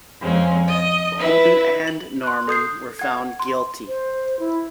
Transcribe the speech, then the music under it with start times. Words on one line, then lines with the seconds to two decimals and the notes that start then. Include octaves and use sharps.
Bowman and Norman were found guilty.
0.21 F2 G#3 C4 C#4
0.68 D#5
1.19 E4 B4 E5
1.88 F#7
2.24 C6 F#6
2.48 A4 D#6 G6 C7
2.99 F#5 G#6
3.39 C6
3.88 C5
4.39 E4